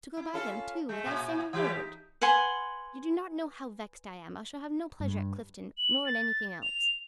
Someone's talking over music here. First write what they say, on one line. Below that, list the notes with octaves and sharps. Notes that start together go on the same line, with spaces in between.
To go by them, too, without saying a word! You do not know how vexed I am; I shall have no pleasure at Clifton, nor in anything else.
E4
C#4 F4 A4
G#3 A3
A#2
E3 G#3 G4
D#4
B4 F#5 G#5 C6
G2
F#7
A6
F7